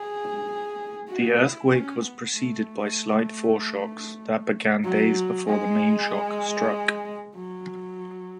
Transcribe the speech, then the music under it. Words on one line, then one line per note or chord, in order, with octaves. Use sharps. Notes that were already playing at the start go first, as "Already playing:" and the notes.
The earthquake was preceded by slight foreshocks that began days before the mainshock struck.
Already playing: G#4
F#4
E4
C#4
B3
A3
F#3
G#3
F#3